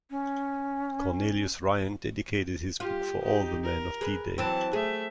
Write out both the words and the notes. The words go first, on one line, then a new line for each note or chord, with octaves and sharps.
Cornelius Ryan dedicated his book for all the men of D-Day.
C#4
F4 G4
D#4 G4
A#4
G#4 B4
E3 F#3 C4 A5
A3 G#4 E5